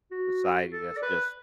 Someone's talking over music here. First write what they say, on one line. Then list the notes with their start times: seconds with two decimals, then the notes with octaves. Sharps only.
society that's just
0.11 F#4
0.72 A4
0.97 D5
1.02 B4